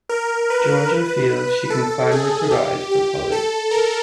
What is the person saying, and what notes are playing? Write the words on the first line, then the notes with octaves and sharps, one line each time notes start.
Georgia feels she can finally provide for Polly.
A#4
B4
A4
G#4
G4
G4
A4
A#4